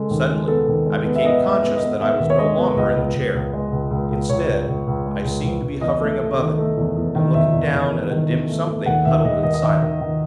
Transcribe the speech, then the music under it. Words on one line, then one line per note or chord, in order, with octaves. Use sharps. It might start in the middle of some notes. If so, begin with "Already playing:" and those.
Suddenly, I became conscious that I was no longer in the chair. Instead, I seemed to be hovering above it, and looking down at a dim something, huddled and silent.
Already playing: C#3 G#3 A4
D#2
G#3
B3 A4
D#2
G#3
B3
E5
B3 D#5
G#3
E5
B3
D#5
B3
B3 E5
D#2
C#5
G#3 D#5
B3
C#2 D#5
C#2
C#2
C#2
G#3
C#2
C#2
C#2
C#2 C#5
C#2
C#2
C#2
G#3
C#2
C#2
C#2
E2 D#5
A3
A3
D#3
A3
E2
E2
D#3
E2 E5
E2
E2
E2
D#3
E2
A3
A3
D#2 F#5
D#2 E5
D#2 D#5
D#2 D#5
D#5
D#3 E5
D#3
D#3